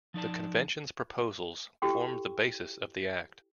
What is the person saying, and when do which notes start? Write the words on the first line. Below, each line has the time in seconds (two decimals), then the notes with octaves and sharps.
The Convention's proposals formed the basis of the Act.
0.14 F3 D#4 D5 A5
1.82 E4 F#4 G4 A4 G5 C#6